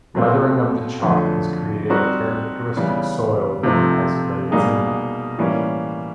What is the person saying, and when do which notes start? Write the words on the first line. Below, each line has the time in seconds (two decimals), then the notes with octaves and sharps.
Weathering of the chalk has created a characteristic soil known as rendzina.
0.15 B2 F#3 A3 C4 F4
1.02 F2 D3 F#3 A3
1.90 G3 C4 D#4 F#4 A#4
2.77 C#3 E3 G3 B3
3.63 C3 F3 A3 C4 D#4
4.51 B2 G3 A#3 D#4 G#4
5.38 A2 E3 G3 A#3 C#4